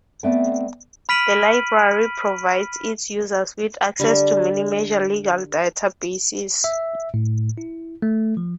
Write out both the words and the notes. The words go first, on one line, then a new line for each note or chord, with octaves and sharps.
The library provides its users with access to many major legal databases.
A3 B3 C4 D5 E5 G5
B5 F6 B6 D7 D#7 F#7
D3 G3
E5
A2
E4
A3
F3